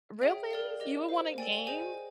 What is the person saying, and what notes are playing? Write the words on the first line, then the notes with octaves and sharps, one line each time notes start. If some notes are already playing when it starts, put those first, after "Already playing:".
Really? You would wanna game?
G#4 C#5 E5 G5
A#4 D5 F5
G4 A#4 D#5
C5 F5
A4 D5 G5 G#5
G#5
G#4 C5 D#5 G#5